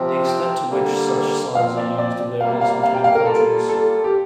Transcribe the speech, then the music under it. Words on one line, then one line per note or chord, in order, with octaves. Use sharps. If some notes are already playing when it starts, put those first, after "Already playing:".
The extent to which such signs are used varies between countries.
Already playing: C3 F3 C4
G5
D3 G3 A#3
A#2 F3 C4 F5
D5
D5
C3 G3 A#3 F5
F5
F5
G5
F5
A#4
G3 A#3 F4 A4
A4
G4